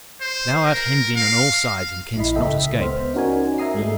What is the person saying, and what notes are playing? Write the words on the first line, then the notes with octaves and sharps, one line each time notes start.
"Thou art hemmed in on all sides, and canst not escape!"
C5
A#4
F5
A#1 E4 D#5 B5
C#2 A4 D#5 E5 G5 B6
B3 C5 F6
C#4 D#4 F#4 A#4 D5 G#5
E5 G#5 A#5 D#6 C7
G#2 G#3 A3